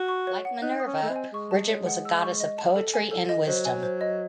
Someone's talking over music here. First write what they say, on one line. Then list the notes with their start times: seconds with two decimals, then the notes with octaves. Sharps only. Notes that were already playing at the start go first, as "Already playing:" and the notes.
Like Minerva, Bridget was a goddess of poetry and wisdom.
Already playing: F#4
0.08 C#6
0.27 C#5
0.45 F#5
0.62 D#4 F#6
0.80 D#6
0.86 C#4
0.98 A3 D#5
1.09 C4
1.16 G#5
1.33 G#3 C#6
1.51 A5
1.70 C#5
1.87 F#5
2.05 E6
2.22 C#6
2.40 D#5
2.58 A5
2.76 A4
2.94 G#5
3.11 A4
3.29 D#5
3.47 F#3 C5
3.65 G#5
3.83 C5
4.01 D#5